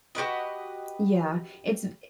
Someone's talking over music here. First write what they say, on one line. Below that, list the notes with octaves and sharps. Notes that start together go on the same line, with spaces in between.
Yeah. It's i
F#4 G4 B4 D#5